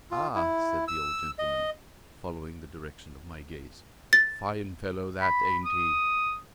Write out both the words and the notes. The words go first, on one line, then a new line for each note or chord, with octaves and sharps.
"Ah!" said the old gentleman, following the direction of my gaze, "fine fellow that, ain't he?"
F4
E4
E6
D#5
A6
B5
D#6